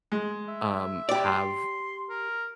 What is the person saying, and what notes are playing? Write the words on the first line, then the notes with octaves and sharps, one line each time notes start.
um, have
G#3
E5
G4 D5
C6
A#4